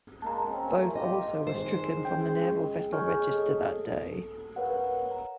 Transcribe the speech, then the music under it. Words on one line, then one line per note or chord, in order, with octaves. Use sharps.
Both also were stricken from the Naval Vessel Register that day.
G#3 A#3 A5 A#5
C4 C#4
E2 A3 A#3
F4 G4 D#5
F2 D#3 G#3 C5
C#4 G#4 G5
G#4 C#5 D#5 G#5 C#6 F6
A4
A#4 B4 C#5 F5 F#5
A#5